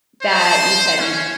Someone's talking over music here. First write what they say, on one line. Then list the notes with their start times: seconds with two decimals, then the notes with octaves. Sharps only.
that you said you
0.22 C5
1.00 C#4